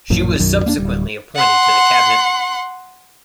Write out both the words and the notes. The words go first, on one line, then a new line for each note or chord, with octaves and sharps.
She was subsequently appointed to the Cabinet.
A1 F#2 A#2 F3
B1 F#2 D#3 F#3
E2 A#3 C4 D4
D1 G3
F#5 C6